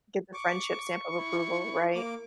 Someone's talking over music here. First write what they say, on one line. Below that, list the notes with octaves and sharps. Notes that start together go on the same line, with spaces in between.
Get the friendship stamp of approval. Right?
C#6 D6
E4
A#3 D6